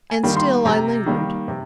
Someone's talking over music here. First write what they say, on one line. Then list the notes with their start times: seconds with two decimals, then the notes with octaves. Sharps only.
And still I lingered.
0.10 G#5
0.23 D#3 G3 A#3
0.37 C6
0.65 C3 A#5
1.06 D#3 G3 A#3
1.48 C3